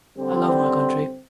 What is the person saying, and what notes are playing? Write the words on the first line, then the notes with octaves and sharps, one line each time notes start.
I love my country.
D3 G3 C4